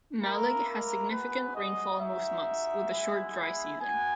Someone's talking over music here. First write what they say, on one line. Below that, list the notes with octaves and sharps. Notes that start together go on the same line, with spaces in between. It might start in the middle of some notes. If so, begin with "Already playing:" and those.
Mallig has significant rainfall most months, with a short dry season.
A#3 E4 A#4
A#4
G#3 B3 F#4 B4
D#5
G#3 D#4 F#4 E5
G#3 B3 E4
B3 F#4 G#5